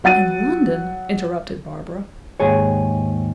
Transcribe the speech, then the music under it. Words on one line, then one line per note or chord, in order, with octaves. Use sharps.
"In London!" interrupted Barbara.
F#3 F#5 A6 D#7
D#2 G#2 G#4 C#5